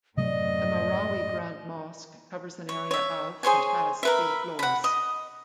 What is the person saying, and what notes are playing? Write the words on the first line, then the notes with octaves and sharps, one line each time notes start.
The Marawi Grand Mosque covers an area of and has three floors.
F#2 A2 C3 F#3 A3 D5 D#5
C#5
C#5 E5
G#4 C5 C#5 G#5
A#4 B4 E5
F#5 B5
D#5